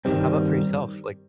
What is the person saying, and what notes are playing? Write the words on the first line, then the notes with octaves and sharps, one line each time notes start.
How about for yourself? Like
G2 D#3 G3 C4